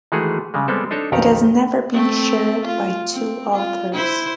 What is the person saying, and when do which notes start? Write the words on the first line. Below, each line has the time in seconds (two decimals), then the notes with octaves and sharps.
It has never been shared by two authors.
0.12 D#3 E3 G#3 A3 F#4 G#4
0.54 C#3 G3 G#3
0.68 G3 G#3 B3 C4 A4
0.91 D4 D#4 A4 C#5
1.12 B1 F2 D#3 G4 F#5 A#5
1.93 A3 C4
2.64 F4
3.12 C4
3.53 F4
3.93 E4 C5